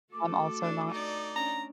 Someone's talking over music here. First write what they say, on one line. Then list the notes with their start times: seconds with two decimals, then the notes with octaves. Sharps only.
I'm also not,
0.13 A3 F#4 A4 D6
0.61 D4
0.90 D#4 D5
1.36 C#4 D4 A#5